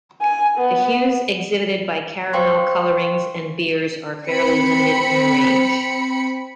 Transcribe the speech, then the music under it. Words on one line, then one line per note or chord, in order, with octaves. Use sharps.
The hues exhibited by caramel colorings and beers are fairly limited in range.
G#5
B3
C5 F5 G5 C6 C#6
C4 B5 C#7